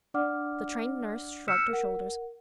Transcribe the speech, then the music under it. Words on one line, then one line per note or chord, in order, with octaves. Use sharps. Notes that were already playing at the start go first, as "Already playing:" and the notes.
The Trained Nurse shrugged her shoulders.
D4 D5 F#5 D6 F6
E6 F6 G6 B6 C#7 E7
A#4 F#5